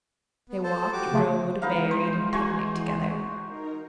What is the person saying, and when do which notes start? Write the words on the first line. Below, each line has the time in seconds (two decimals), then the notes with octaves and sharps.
They walked, rowed, berried and picnicked together.
0.49 B3
0.64 A4 C5 A5
0.93 F#4 G4 D6
1.13 C#3 F3 A3
1.62 E3 G#3 B3 D#4 F5
1.91 C5
2.33 F#4 C5 G#5
3.45 D#4 A#4